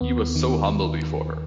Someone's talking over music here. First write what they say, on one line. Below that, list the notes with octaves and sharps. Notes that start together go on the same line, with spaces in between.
He was so humble before her.
D#2 B3
D#3